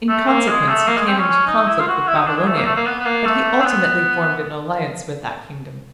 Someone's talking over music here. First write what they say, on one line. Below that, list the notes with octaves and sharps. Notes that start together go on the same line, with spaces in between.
In consequence he came into conflict with Babylonia, but he ultimately formed an alliance with that kingdom.
A3
A#3
G#3
A3
A#3
G#3
C4
C#4
C#4
D#4
E4
F4
F#4
E4
D#4
D4
G#3
A3
A#3
A3
A#3
B3
B3
A#3
A3
C4
B3